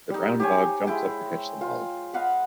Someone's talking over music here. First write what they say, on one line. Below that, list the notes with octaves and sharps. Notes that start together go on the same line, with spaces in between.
The brown dog jumps up to catch the ball.
G3 D#4
G4 C5 C#5 G#5
G#3 E4 G5
F4
D#5 F5 F#5 B5